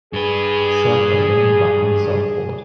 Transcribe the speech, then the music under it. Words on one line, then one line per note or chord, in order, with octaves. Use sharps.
Surfer leaning back on surfboard.
G2 G#4 B4